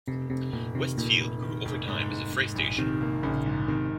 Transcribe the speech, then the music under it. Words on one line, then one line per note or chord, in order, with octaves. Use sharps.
Westfield grew over time as a freight station.
F1 C3
F1 C3
F1 A#2
C3 D#3
F1 A#2
F1
D#3
F1
G#2
G#2
G#2
A#1
C3 D#3
A#3
A#1 C#3
G#2
C3 D#3